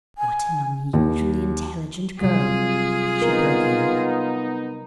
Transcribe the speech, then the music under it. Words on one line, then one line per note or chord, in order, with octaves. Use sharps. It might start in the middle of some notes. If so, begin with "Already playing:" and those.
'What an unusually intelligent girl!' she broke in.
G#5
D#2
C3 F#3 G3 F4 G#4
B3 D#4 A#4